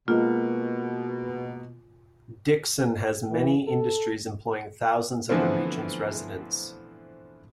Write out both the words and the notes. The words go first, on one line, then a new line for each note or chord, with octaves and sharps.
Dixon has many industries employing thousands of the region's residents.
B2 G#3 A#3 F4
E3
A4
D3 E3 F3 A3 B3 C4